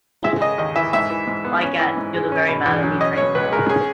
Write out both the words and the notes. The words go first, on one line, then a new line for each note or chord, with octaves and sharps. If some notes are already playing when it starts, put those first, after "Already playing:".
By Gad, you’re the very man I’ve been praying for.
G#3 E5
C#3 D#5
D#2 D#5
E3 E5
G#2 E5
E3
G#2
B3
C#4
E3
G#2
G#3
C#4
B2
E2
F#3
C#4 D#5
B2 C#5
C#2 B4
G#3 A#4
C#4 G#4